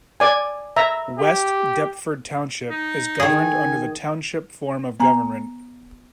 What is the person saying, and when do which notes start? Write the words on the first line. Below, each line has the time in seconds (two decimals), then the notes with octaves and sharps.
West Deptford Township is governed under the Township form of government.
0.20 D5 G#5
0.76 E5 A#5
1.18 G4
2.70 D#4
3.20 D#3 G#4 G#5
5.00 B3 G#5 A#5